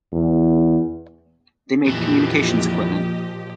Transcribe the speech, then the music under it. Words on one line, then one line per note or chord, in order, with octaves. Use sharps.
They made communications equipment.
E2
F2 A#2 E3 F3 G4 D#5